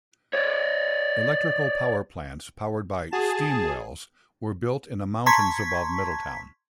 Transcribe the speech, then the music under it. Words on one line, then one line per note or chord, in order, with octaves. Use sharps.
Electrical power plants powered by "steam wells" were built in the mountains above Middletown.
C#5 D5
F#4 G#4 A5
A5 A#5 C6 C#6 G#6 B6